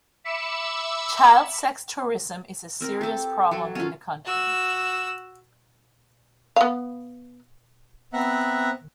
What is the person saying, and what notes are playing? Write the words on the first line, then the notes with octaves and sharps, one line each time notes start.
Child sex tourism is a serious problem in the country.
E5 B5 D6 E6 C#7 E7
C4 A#4
G4 A4
F#3 A4
C#4 F4
F#4 E6
B3 F5
B3 C4 E5 F#5 A#5 F#6